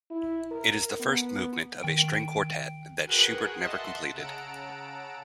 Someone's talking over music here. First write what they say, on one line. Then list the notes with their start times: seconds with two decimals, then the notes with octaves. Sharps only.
It is the first movement of a string quartet that Schubert never completed.
0.11 E4
0.51 A#4
1.01 B3
1.83 D#3 G5 D7
3.06 F#4 G#4 A#4 B4 F#5 G5
3.61 D#5 E5 F#5 A5 C6
4.13 C#3 F#5 A5 A#5 E6 D7